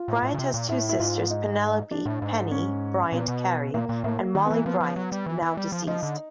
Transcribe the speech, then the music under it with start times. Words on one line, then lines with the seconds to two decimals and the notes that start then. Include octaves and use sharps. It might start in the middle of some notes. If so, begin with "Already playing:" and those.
Bryant has two sisters, Penelope "Penny" Bryant Carey, and Molly Bryant, now deceased.
Already playing: F4
0.08 A2
0.23 A2
0.34 C#3
0.38 C3
0.54 A#2
0.69 A2 E4
0.89 E4
0.99 G#2 F4
1.30 D#4
1.91 D4
2.06 A2
2.22 G#2
2.51 C#4
3.12 A#2 B3
3.28 B2
3.74 A#2 A#3
3.89 A#2
4.04 A2 A#3
4.35 D#3
4.46 E3 B3
4.56 A#3
4.66 F3 B3
4.80 F3
4.96 F#3
5.12 G3
5.26 E3
5.42 E3
5.57 G3
5.72 F3
5.87 F3 D#4
6.03 D3